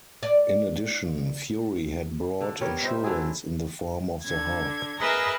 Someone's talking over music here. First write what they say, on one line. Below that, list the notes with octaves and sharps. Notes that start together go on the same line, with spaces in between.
In addition, Fury had brought insurance in the form of the Hulk.
D5
D3
G3 B3 A#4 C#5
D#4 C5 E5
D3 F#3 E4 G#4
D3 G#6
G#4 A#4 B4 D#5 E5 A#5